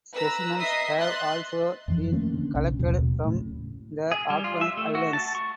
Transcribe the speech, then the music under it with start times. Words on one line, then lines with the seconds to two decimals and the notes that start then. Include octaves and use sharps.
Specimens have also been collected from the Auckland Islands.
0.14 B4 A#5 E6
0.57 D#5 E5 D#6 B6 C7
0.99 C6 F#6 A6
1.88 F2 E3 F3
2.12 D#3 A3 A#3 C#4
2.34 D3
2.55 B1 C#3
2.79 D#1 D#2 B2 F#3
3.24 A2 C#3
4.12 G#4
4.30 G3
4.44 F4
4.61 E5
4.77 A3
4.95 F#4
5.13 A5
5.35 C#6